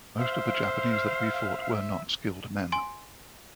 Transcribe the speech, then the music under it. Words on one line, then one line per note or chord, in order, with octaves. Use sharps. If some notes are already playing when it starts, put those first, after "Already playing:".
Most of the Japanese that we fought were not skilled men.
C5 E5 F5
G#5 C6 D7